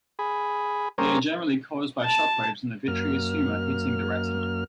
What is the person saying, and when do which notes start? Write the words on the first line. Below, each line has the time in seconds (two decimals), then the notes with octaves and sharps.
They are generally caused by shock waves in the vitreous humor hitting the retina.
0.19 G#4 B5
0.98 G3 A#3 C#4 G#4 A#4 C5
2.04 A5
2.88 F#2 A#3 F6